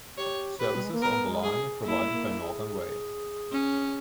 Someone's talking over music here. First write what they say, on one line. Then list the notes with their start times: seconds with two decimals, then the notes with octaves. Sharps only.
Services on the line are provided by Northern Rail.
0.17 G4 C#5
0.60 G4 B4
0.75 G3
0.85 G#3
0.92 A#3
1.02 B3 A#4
1.29 G#3
1.43 G#4
1.85 A#3 E4
2.12 A#3
2.41 G#4
3.52 C#4